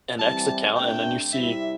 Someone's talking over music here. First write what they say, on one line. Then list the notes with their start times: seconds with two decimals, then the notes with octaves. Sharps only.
an X account, and then you see
0.19 E3 G3 C4 A5
0.75 C3 A3 D4 G5
1.33 C3 G3 E4 E5